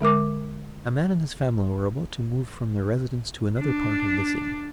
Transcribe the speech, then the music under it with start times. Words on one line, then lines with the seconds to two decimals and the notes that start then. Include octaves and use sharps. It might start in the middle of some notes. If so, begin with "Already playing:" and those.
A man and his family were about to move from their residence to another part of the city.
0.01 D3 G#3 A#4 D6
3.59 D4